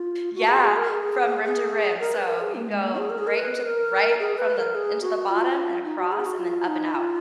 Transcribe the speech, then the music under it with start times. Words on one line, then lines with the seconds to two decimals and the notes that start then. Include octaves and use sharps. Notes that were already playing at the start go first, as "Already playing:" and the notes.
Yeah. From rim to rim, so you go right into th right from the into the bottom and across and then up and out.
Already playing: F4
0.35 F#4
0.49 G#4
0.62 G#4
0.77 A#4
0.90 G#4
1.45 G#4
2.00 A#4
2.14 B4
2.28 A#4
2.41 G#4
2.55 A#3
2.68 G#3
2.83 A#3
2.96 G#4
3.10 A#4
3.18 G#4
3.27 A#4
3.38 B4
3.65 A#4
4.20 G#4
4.37 B4
4.57 A#4
4.75 G#4
5.02 F#4
5.29 F4
5.84 D#4
5.98 F#4
6.12 G#4
6.25 F#4
6.39 F4
6.67 D#4
6.94 F4